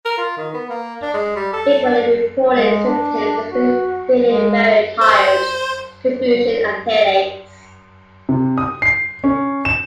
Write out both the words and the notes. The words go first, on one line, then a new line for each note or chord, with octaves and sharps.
Frequently reported symptoms include feeling very tired, confusion, and headaches.
A#4
F4
D#3
B3
A#3
D4
G#3
G3
A4
D4
G#3
D4
F#4
G#3
C5
C3
D#6
C7
C#4
E7